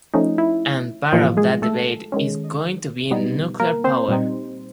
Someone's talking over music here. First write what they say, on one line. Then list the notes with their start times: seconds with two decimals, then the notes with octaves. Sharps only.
And part of that debate is going to be nuclear power.
0.14 F3 A3 C#4 D#4
0.38 E4
1.12 A2 E3 F3 G3 A#3 D#4 F4
1.37 G#3 G#4
1.62 A3 A4
2.12 D#3 G#3 C#4
3.11 B2 G3 B3 D#4
3.60 A#3 A#4
3.84 C4 C5
4.08 A#2 G3 C4 D#4